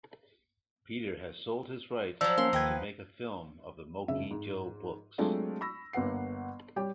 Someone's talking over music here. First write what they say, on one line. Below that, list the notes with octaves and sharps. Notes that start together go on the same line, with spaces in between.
Peter has sold his rights to make a film of the Mokee Joe books.
F3 F#3 D5 E6
A#3 C#4 C6
D#2 B4 D#5 G5 G#6
F#1 C#3 E5
G#2
F#3 G#3 A3 C4 D4 F4
B5 C#6 E6 A#6
G1 A#3 B4 F#5 C7
G3 G4 C#5 G5